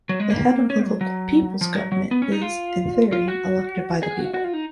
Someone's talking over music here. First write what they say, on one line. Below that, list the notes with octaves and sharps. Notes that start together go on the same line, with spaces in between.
The head of the local People's Government, is, in theory, elected by the people.
F#3
G#3
A#3
C#4
F#3
F#3
F3
F#3
F#3
B3
C#4
D#4
F4
F4
F#4
G#4
F#4
F#4
F4
D#4